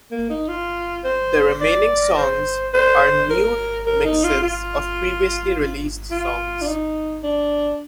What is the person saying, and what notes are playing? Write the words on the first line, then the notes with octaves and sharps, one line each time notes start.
The remaining songs are new mixes of previously released songs.
A#3
D#4
F4
C5
D5
C5
C5
A#4
A#4
D#4
F4
F4
F4
D4
D#4
D4